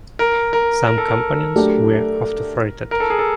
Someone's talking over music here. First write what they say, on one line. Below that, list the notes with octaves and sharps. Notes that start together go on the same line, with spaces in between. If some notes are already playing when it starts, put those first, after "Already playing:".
Some components were autofretted.
A#4
A#4
A#4
A4
A#4
F#3 A3 D4 G4
A#4
A4
G#4
A4